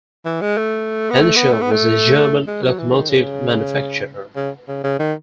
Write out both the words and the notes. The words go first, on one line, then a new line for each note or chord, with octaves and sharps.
Henschel was a German locomotive manufacturer.
E3
G#3
A3
B3
A3
B3
A3
B3
A3
G#3
F#3
E3
D#3
C#3
C#3
C#3
C#3
D#3